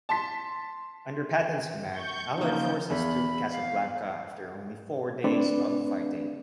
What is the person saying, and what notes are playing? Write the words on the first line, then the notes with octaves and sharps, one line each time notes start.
Under Patton's command, Allied forces took Casablanca after only four days of fighting.
A5 C6 B6
C#6 G6
C#3 F3 A#3 D#4 G6
E2 B5
F5
A3 C4 D4 B4 D5